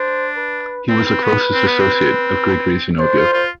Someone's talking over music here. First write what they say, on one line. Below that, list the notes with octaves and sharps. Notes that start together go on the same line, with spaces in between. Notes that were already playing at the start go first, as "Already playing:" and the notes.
He was the closest associate of Grigory Zinoviev.
Already playing: D4 C5
B4
C4 B4
C4
B3
C4
B3
C4
C4
D4 C5
F4
F4